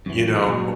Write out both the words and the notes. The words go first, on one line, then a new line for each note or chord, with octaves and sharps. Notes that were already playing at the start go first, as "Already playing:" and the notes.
you know?
F#2 E3
A#2 F#3